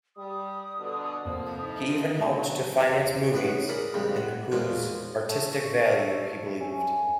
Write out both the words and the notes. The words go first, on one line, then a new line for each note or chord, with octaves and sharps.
He even helped to finance movies in whose artistic value he believed.
G3 D#6
B2 D3
F2 C3 F3 A#3
D#4 E4
B2 D3 F#3
E2 C3 D5 A#5
A1 A2 G#4 B4 C#5 F#5
G#4 A#4 D5 B5 D#6
A#1 F2 C#3 G3 G#3
F#5
E2 A#2 F3 G#3 C#4
A3
C#5
E6
C#4